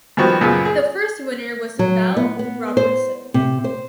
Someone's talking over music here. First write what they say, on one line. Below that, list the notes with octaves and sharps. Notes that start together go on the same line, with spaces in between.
The first winner was Belle Robertson.
G2 D#3 F3 B3 C4 F#4
F#2 A#2 C#3 B3
G#4
F#3
B3
B3
C5
C3
C5